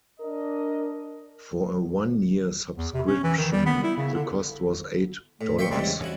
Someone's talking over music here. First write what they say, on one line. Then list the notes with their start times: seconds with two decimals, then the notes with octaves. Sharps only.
For a one-year subscription, the cost was eight dollars.
0.20 D4 A#4 D#5
2.78 E2
2.94 C3
3.06 C#4
3.23 E3
3.38 D#3
3.52 G3
3.66 B3
3.83 E4
3.97 C#3
4.14 D3
5.41 A2
5.59 E5 F5 G5 C6 C#6
5.71 E2 G#2 C#3 G3 C4
6.02 C#4 E4 F#4